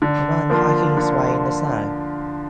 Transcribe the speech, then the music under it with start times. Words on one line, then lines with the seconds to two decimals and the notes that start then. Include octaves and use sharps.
A man hiking his way in the snow.
0.02 D3
0.50 F3 A#3 D4 F4
0.97 D3